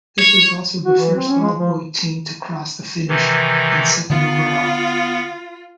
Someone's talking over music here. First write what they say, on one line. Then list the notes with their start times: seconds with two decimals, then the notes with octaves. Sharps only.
This was also the first all-boy team to cross the finish, and second overall.
0.19 C#5
0.84 F#4
0.99 E3
1.15 C4
1.29 C#4
1.40 G#3
1.58 F3
3.08 C3 D#3 E3
4.10 D3 B3 F4